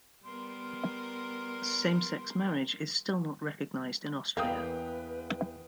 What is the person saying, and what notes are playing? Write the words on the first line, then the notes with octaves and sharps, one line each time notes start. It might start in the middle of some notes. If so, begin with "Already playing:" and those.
Same-sex marriage is still not recognized in Austria.
G3 B3 A#4 C6
E2 A#3 B4 F5 G5 D#6